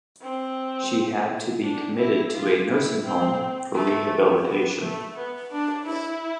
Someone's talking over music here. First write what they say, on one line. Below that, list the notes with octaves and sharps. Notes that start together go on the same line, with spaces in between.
She had to be committed to a nursing home for rehabilitation.
C4
D4
E4
F4
E4
C4
A3
B3
A3
B3
D4
E4